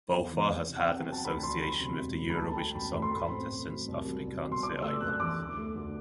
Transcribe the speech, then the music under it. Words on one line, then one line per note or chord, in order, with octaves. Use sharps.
Botha has had an association with the Eurovision Song Contest since "Afrikaanse Idols".
E2
E3
E2
C3
F#5
C4 G5
F#3
A5
D2 B5
D3 C6
F#3 B5
C3
E1
D2
B5
A3 A5
A5
F#3 G5
A1 B5
A2 B5
C6
A2 B5
C4
A2
F#3
C2
F#3
C2
B2
C6
D4 D6
A3 E6
F#2 F#6
E3 D6
D2
A3
D2